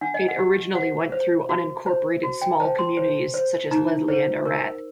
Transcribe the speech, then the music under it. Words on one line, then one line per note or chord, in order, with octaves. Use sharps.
It originally went through unincorporated small comminities such as Leslie and Arat.
D4 F#5
D#5
F#5
G4
C5 F#5
C5
F#4
C5
F#4
G5
C5 A5
C6
C5
C5
D#4 A#5
C5
A#4